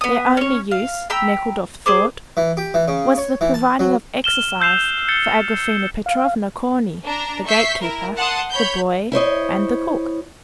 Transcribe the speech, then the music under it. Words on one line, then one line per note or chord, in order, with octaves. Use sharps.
Their only use, Nekhludoff thought, was the providing of exercise for Agraphena Petrovna, Corney, the gate-keeper, the boy, and the cook.
B3 D#6
C#4 C#5
F5
G5 A#5 B5 E6
G#4 C5 D6
E3
G4
E3
C#3
C#5
E3
A5
F#3
F6 E7 G7
E6 G6 C7 E7 F7
G6 A6 C#7 G7
F5
D4 A#5
E5 C#6 G6 B6 C7
E4 A#4
F#5 A5 C6 D#6
C#5 B5 G6
E4 C5 C#5 D#5